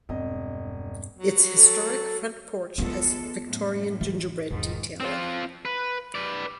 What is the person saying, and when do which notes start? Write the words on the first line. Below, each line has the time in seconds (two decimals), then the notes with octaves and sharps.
Its historic front porch has Victorian gingerbread detailing.
0.09 E1 G2 C4 D#5
1.17 F#3
1.56 A4
2.78 E2 G#3 B3 F4 A4
3.43 F#2 A2
4.01 E3
4.51 E1 G#2 D#3
5.00 C4 F4
5.65 B4
6.15 B4 D5